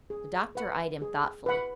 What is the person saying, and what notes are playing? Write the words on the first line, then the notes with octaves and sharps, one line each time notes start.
The doctor eyed him thoughtfully.
G#4
B4 F#5 B5
G#4
B4 F#5 B5